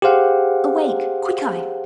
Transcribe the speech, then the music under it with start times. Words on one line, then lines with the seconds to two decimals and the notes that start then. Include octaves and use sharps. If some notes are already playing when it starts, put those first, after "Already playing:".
Awake! Quickeye!
0.02 G4 G#4 C5 F5 F#5